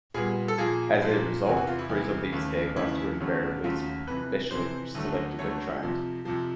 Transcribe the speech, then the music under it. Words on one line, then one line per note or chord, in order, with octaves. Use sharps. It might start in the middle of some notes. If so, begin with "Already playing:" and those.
As a result, the crews of these aircraft were invariably specially selected and trained.
A#2 G3 B3 G#4
A4
A#2 F3 A#3 G#4
A#2 F3 A#3
E2 C3 E3 F#4
F#4
F4
E4
E2 C3 E3
D#2 C#3 E3 A3
D#2 C#3 E3 A3 E4
D#2 C#3 F#3 A3
D#2 C#3 F#3 A3 F4
F2 C3 E3 B4
F2 C3 E3 C5
D2 D3 F#3 A3
D2 D3 F#3 A3 C#5
F2 C3 F3
F2 C3 F3